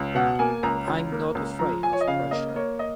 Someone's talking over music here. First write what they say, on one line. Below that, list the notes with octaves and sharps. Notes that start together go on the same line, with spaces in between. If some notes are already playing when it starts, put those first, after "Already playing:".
I'm not afraid of pressure.
Already playing: C#2
B2 F#5
A#3 G#5
C#2 A#5
C#2
A#3
C#2
F3 A#5
F3 G#5
C#5
D#5
C#3 F5
A#3 D#5
A#3 C#5
D#5